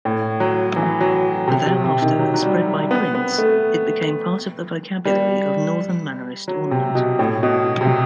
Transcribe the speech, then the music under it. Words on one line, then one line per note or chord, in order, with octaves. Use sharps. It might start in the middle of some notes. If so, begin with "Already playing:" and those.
Thereafter, spread by prints, it became part of the vocabulary of Northern Mannerist ornament.
A2
F#3
E3
F#3
C3
C3
C3
D#3
F#3
F#3
G3
B3
B3
A3
G3
F#3
C3
B2
A2
B2
C3